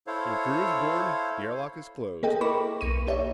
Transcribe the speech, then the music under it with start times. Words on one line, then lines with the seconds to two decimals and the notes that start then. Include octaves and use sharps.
Your crew is aboard, the air lock is closed.
0.07 E4 A4 C5 C#5 F5
2.23 A#3 G#4 A4 D#5 G5
2.41 E4 A#4 B5 C#6 D6
2.81 B1 A#3 C#6 D#7
3.07 D#4 G4 C#5 D5 E5